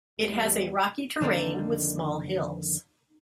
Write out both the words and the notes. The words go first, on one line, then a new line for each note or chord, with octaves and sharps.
It has a rocky terrain with small hills.
E2 G3
F2 D3 D#3 A#3 D4